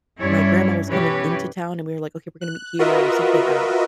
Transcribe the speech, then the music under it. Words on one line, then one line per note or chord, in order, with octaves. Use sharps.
My grandma was coming into town, and we were like, "Okay, we're gonna meet here," or something. I don't know.
G2 G3 C#4 E4 C#5 D5
B2 E3 C#4 G4 B4 C#5
F#6
F4 F#4 A#4 B4 D#5 E5